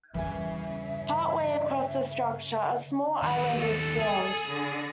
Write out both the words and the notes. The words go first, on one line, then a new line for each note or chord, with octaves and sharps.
Part way across the structure, a small island was formed.
E2 G2 C#3 E3 E5 G#5
D#2 B3
A4
G#4
D3